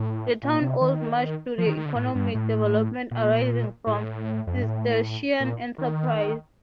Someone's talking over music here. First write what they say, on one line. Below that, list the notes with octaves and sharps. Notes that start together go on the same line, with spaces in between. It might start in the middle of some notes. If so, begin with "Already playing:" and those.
The town owes much to the economic development arising from Cistercian enterprise.
Already playing: A2
A#2
C3
D#3
F3
D#3
D#3
D3
A2
G2
A2
A#2
A2
F2
G2
A2
A#2
D#3